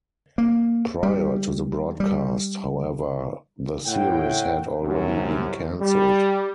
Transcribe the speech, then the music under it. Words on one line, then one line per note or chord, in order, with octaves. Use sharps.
Prior to the broadcast, however, the series had already been cancelled.
A#3
G3
G3
A2 E5 F#5 G5
C2 F#2
G3